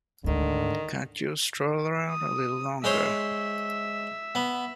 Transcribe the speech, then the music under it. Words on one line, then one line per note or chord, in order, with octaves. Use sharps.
Can't you stroll around a little longer?
D2 G#2 D3 D#3
D#6
G#3 C5 C#5 E5
B3